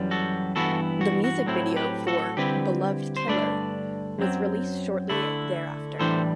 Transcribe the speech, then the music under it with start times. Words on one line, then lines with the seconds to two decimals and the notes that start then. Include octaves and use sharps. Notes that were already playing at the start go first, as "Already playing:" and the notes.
The music video for "Beloved Killer" was released shortly thereafter.
Already playing: F#2 E3 G3
0.11 F#4 A4
0.56 G2 E3 B3 E4 F#4 A4
1.01 F#4
1.24 F#4
1.47 A2 F#3 C4 E4
1.76 G4 B4
2.07 F#4 A4
2.37 D3 G3 C4 E4 G4 B4
3.17 C5
3.28 G2 D3 A3 D4 B4 D5
4.19 F#2 F#3 C4
5.09 D3 A3 E4
5.99 A2 E3 G3 D4 A4 C5